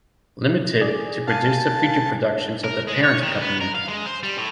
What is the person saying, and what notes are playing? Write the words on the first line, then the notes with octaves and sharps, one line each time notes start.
Limited, to produce the feature productions of the parent company.
G#4 D5
F5 G#5 A5
A#4
G#3
C#5
D#3
B3
A#4
F5
G#3
C5
G3
A2